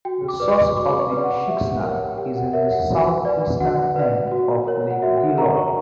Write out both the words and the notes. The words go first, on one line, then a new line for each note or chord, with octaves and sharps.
The source of the Sheksna is in the southeastern end of Lake Beloye.
F#4 G5
D6
B4 D5
C#6
F#4 D6
C#6
B4 D5
F#5
G4 E5
F#5
A#4 C#5
G5
G4 G5
F#5
A#4 C#5 E5
F#5
F#4
B4 D5
F#4 F#5
B4 D5
F#4
A#4 C#5
F#5
F#4 E5
G5
F#5
A#4 C#5 A#5
C#6